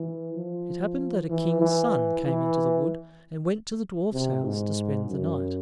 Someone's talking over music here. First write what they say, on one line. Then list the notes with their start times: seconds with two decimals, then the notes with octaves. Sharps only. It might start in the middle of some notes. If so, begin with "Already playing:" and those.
It happened that a King's son came into the wood, and went to the dwarfs' house to spend the night.
Already playing: E3
0.36 F3
1.30 E3
1.61 E3
2.25 E3
4.13 C3
4.44 G#2
5.08 F#2